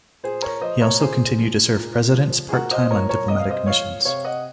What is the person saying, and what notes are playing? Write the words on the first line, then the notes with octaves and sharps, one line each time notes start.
He also continued to serve Presidents part-time on diplomatic missions.
A#2 G#4 C5
A#4 C#5
F3 C5 D#5
A#4 C#5
A#2 G#4 C5
F3
A#2
F3
G#4
A#2 F#4 A#4
C5 D#5
F3 A#4 C#5
A#4 C#5
C3 D#5
F5
C5 D#5
F3 C#5 F5
C3 C#5 F5
D#5 F#5